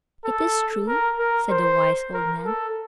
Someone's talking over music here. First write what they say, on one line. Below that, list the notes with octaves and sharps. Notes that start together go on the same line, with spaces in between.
"It is true," said the wise old man.
A4
A#4
A#4
C5
A#4
A4